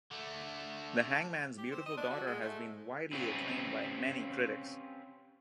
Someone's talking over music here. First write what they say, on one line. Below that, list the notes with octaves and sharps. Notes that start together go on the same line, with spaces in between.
"The Hangman's Beautiful Daughter" has been widely acclaimed by many critics.
D3 A3
G4
C4
D#5
D4
F#4
G#3
A3
C4 C#4 F4 G4 B4